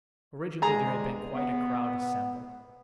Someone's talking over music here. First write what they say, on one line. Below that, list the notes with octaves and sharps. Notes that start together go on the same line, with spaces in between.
Originally there had been quite a crowd assembled.
G2 G#3 G#4 A#5
B3